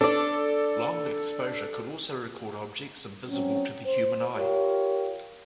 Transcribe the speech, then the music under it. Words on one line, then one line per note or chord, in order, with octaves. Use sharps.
Long exposure could also record objects invisible to the human eye.
D4 A4 D5
F#3 C4 C#4
C5
F4 G4 A#4 C#5